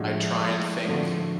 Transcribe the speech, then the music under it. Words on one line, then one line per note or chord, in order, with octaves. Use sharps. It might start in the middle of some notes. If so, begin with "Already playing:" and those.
I try and think,
Already playing: A2 F3 G#3 D4 F#4
D3 F3 A3 D4 F#4